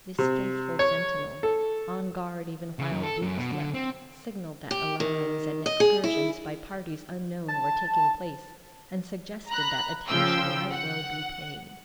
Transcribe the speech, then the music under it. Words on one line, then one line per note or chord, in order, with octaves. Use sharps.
This faithful sentinel, on guard even while Duke slept, signalled that alarums and excursions by parties unknown were taking place, and suggested that attention might well be paid.
C3
C#5
A4
C#3
F#2
A4
F#2
B2
D3
C4
G4
D#3
D#5
G#4
E4
A5
A#5 B5 F#6
C#3 F3 F4 G5 E6
F#5